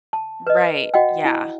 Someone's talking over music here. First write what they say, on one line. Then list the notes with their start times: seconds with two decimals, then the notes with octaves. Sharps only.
Right, yeah.
0.13 A5
0.47 B4 D#5
0.94 F#4 D#5 F#5 G5
1.25 E4